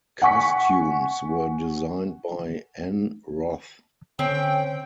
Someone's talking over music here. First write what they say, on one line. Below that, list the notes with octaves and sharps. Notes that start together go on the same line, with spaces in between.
Costumes were designed by Ann Roth.
F#5 G#5 C#6 B6
D3 C4 C#4 G5